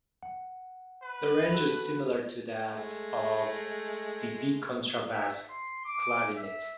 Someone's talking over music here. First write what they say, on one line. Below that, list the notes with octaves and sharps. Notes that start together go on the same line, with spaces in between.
The range is similar to that of the B contrabass clarinet.
F#5
B4
F#4 A4
G#3 A3
E5
C6
D6
E5